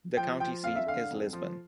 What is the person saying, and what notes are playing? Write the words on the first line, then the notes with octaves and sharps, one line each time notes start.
The county seat is Lisbon.
F3 G5
F3 G5
F2 F5
E5
D3 F5
F2
F3